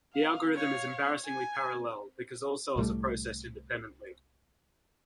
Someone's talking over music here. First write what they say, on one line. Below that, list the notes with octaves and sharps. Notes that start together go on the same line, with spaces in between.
The algorithm is embarrassingly parallel, because all cells are processed independently.
F5
C#5 F5
G#5
C2 A2 G3 A3